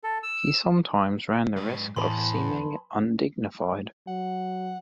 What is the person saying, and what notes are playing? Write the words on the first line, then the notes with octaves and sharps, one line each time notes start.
He sometimes ran the risk of seeming undignified.
A4
E6
G#2 B4
E2 A2 B4 G#5 A5 B5 C6 D#6
F#3 F#5